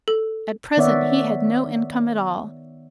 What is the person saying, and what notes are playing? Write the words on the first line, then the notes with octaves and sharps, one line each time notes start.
At present he had no income at all.
A4
D#3 B3 C#5 D5 E5 F#5